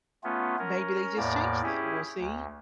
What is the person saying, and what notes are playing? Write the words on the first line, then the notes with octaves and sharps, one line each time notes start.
maybe they just changed it, we'll see.
A3 B3 C#4 F4
C#4 A#4
E2 A2 A#3 D5
C#4 E4 G4 G#4
D2